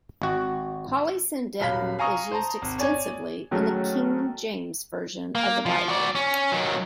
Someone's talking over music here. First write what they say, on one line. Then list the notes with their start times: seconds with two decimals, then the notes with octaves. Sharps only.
Polysyndeton is used extensively in the King James Version of the Bible.
0.22 G#1 F#4
1.61 D#1 F#3 F5 B5 B6
1.99 F5 G#5 A#5 C#6 D#6
2.31 C5 A5 A#5
2.62 G#1
2.78 C#5 D5 G#5 G#6
3.51 D#3 F#3 G#3 A3 C#4
5.35 A#3
5.66 F3
5.88 F#4 D5
6.15 C#4
6.52 D#3 F#3